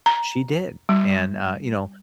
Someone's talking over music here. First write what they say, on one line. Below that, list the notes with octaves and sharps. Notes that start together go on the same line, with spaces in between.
she did, and, uh, you know,
A#5
G3